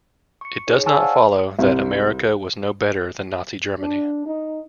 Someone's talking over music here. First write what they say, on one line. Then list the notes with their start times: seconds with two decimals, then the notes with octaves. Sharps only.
It does not follow that America was no better than Nazi Germany.
0.41 C#6 C#7
0.68 D#4 G#4 C#5
0.86 G#5 A5 C#6 E6 F6
1.00 C5 D5 F5 F#5
1.59 C2
3.79 D4
4.26 D#4